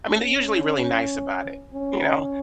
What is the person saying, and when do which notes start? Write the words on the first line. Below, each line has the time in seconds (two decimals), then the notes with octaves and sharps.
I mean, they're usually really nice about it, you know.
0.12 C#4
1.74 C#4